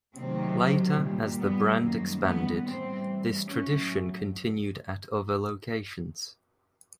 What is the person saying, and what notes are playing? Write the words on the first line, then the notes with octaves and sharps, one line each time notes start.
Later, as the brand expanded, this tradition continued at other locations.
C3 D#3 F#3 A3 C4
A#2 G3
B3
F#2 D#3 G3 A#3
B3
A2 E3 G3 C4
A2 F#3 A3 C#4